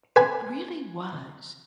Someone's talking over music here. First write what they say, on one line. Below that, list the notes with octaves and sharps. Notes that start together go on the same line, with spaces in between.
It really was.
B4 G#5